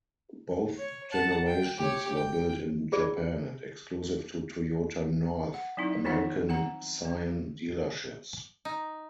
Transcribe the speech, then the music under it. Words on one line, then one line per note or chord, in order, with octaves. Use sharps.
Both generations were built in Japan and exclusive to Toyota North American Scion dealerships.
C#5
F#5 A5
G5
G4 C#5
G5
F4 G#4 D5
F#5
F#3 C4 D#4 E4
D#3 F3 B3 D#4 F4 F#5
C4 F#5 A#5
C4
D#4